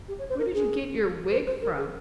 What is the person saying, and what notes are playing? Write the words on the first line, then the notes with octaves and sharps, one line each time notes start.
Where did you get your wig from?
G4
C#5
C5
A#4
G#4
C5
C5
A#4
G#4